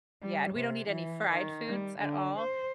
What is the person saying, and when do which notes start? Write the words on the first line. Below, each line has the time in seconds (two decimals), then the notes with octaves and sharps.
Yeah, and we don't eat any fried foods at all,
0.21 G3
0.56 C3
0.88 E3
1.30 D#3
1.67 G3
2.00 D3
2.38 C5